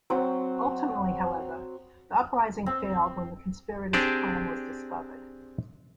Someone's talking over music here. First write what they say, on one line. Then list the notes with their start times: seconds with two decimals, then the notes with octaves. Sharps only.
Ultimately, however, the uprising failed when the conspirators' plan was discovered.
0.10 F#3 C4
2.66 C4
3.93 C4 D4 G4 G#4 D5 A5